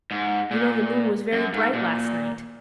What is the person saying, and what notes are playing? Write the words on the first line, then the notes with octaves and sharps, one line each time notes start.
You know the moon was very bright last night.
G#2
A#2
F#2
G#2
A#2